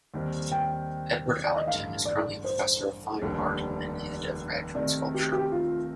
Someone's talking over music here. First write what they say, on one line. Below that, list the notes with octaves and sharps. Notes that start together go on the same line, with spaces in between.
Edward Allington is currently a Professor of Fine Art and Head of Graduate Sculpture.
D#2 D#3 G3 C4
G5
D5
D#5
A1 G2 D3 F5
D5
C5
F1 D#2 D3 G3
C3 D#3 A3 D5
G4
G4
F4